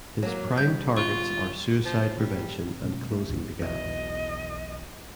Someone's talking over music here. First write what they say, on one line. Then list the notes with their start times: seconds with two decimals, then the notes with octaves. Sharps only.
His prime targets are suicide prevention and Closing the Gap.
0.22 F#3 G#3 A#3
0.58 G3 G6
0.97 F4 C#6
1.85 F3
2.19 G3
2.83 B2 G#3 A3 C#4
3.11 A3
3.27 G#1 D2 G#2 D3
3.62 B1 E2 D#5